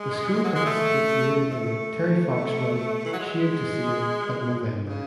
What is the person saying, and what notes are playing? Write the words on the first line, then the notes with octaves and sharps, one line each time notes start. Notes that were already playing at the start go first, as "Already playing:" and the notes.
The school participates yearly in the Terry Fox Run, Shave to Save and Movember.
Already playing: G#3
F#3
G#3
A3
A3
E3
F#3
G#3
C#3